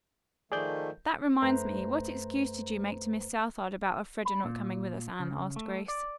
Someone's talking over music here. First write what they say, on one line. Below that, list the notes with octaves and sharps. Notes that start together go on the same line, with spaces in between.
"That reminds me, what excuse did you make to Miss Southard about Elfreda not coming with us, Anne?" asked Grace.
D#3 F3 A3 G#4 D5 G6
F#2 A3 B4 C5 A#5
B5
A#2
C#3
A3
D5